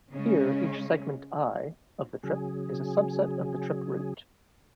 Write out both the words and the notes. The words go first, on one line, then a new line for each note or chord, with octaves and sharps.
Here each segment i, of the trip is a subset of the trip route.
C#3 G#3 C#4
C#3 F#3 G#4